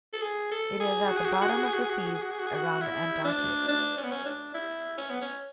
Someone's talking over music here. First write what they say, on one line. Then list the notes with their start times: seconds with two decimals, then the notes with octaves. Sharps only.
It is at the bottom of the seas, around the Antarctic.
0.13 A4
0.22 G#4
0.52 A4
0.80 G#4
1.08 F#4
1.17 G#4
1.25 F#4
1.33 G#4
1.42 F#4
1.49 G#4
1.58 F#4
1.65 G#4
1.74 F#4
1.82 G#4
1.90 F#4
1.99 G#4
2.07 F#4
2.15 G#4
2.22 F#4
2.31 G#4
2.39 F#4
2.47 G#4
2.55 F#4
2.82 E4
3.25 D4
3.69 D4
3.97 C#4
4.03 B3
4.12 C#4
4.26 D4
4.54 E4
4.98 C#4
5.10 B3
5.22 C#4